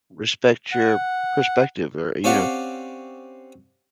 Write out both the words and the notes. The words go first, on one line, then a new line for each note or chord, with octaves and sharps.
respect your perspective or, you know,
F#5
C4 C#4 G4 D5 F5 F#5